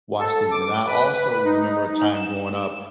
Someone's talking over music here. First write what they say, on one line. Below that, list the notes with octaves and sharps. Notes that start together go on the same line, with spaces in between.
watch things, and I also remember a time growing up,
A4
D6
B4
D#4
E7